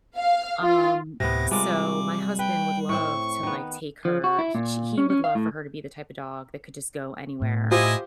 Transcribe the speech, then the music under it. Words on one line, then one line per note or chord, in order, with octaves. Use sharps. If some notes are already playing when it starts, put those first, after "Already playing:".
Um, so my husband would love to, like, take her he she he would love for her to be the type of dog that could just go anywhere.
F5
F4
D2 A2 C3 B3 A#6
G3 G#3 F4 A#4 D6
B4 G5
A2 C4 C#6
D#3 B3
F3
F#4
E4
A#2
C#4
C#4
F5
A2
A2
E4 F4 G4 C5 D#5 G#5